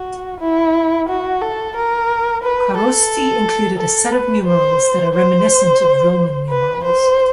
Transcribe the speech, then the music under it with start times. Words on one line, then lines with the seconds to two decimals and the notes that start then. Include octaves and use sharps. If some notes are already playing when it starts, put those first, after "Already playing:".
Kharosthi included a set of numerals that are reminiscent of Roman numerals.
Already playing: F#4
0.40 E4
1.09 F#4
1.42 A4
1.76 A#4
2.43 B4
2.77 A4
3.79 A4
4.12 B4
4.47 C5
5.14 C5
6.50 B4
6.84 C5